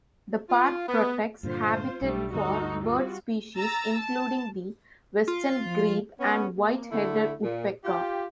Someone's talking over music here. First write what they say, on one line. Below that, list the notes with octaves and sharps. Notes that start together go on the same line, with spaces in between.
The park protects habitat for bird species including the western grebe and white-headed woodpecker.
F4
B3
G2 A#2 D3 F4 C5
B1 G3 A3 C4 D4
D2 G2 D3 D#4 F#4 A4
G3 F4 F#4
A#5 E6 A6
A5
F4
F3
B3 C#4
A#3
D3 A3 E4
A#2
F4 G4